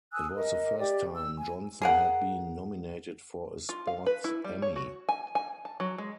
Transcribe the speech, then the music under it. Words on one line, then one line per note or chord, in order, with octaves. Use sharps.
It was the first time Johnson had been nominated for a Sports Emmy.
G#5 D#6 E6 F#6
A#4 D#5
G4 D5 G5
E6
G#5
G#4 A#4 F#5
F4
F5
B4
E4
G3
C#5
F#4
G#5
G#5
A5
F#3
G#3